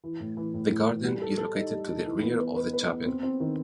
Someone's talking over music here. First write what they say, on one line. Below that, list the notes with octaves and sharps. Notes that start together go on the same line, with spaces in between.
The garden is located to the rear of the chapel.
E3
A2
E3
A2
A2
E3
G3
A4
A4
D#4
G3
D#4
E3
B3
B4
B4
B4
B3
C4
C4
D#3